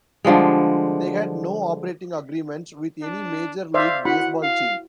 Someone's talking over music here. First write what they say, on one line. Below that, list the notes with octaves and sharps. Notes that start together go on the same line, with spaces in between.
They had no operating agreement with any Major League Baseball team.
D3 F3 G3 G#3
D4
C5 D5 E5 F5
E4 F#4 F#5 B5
F5